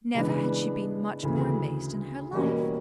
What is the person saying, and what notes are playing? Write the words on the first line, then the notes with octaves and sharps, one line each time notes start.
Never had she been much more amazed in her life.
C#3 E3 G#3 B3 D4
D2 C#3 E3
E2 B2 G3 A#3 C#4